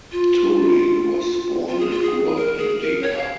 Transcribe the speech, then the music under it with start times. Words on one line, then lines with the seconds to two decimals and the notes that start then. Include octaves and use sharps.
Toure was born and grew up in Dakar.
0.12 F4
1.69 F4
1.80 G#4
1.91 F4
2.02 G#4
2.36 A#4
2.58 G#4
2.81 A#4
3.03 C#5
3.17 F5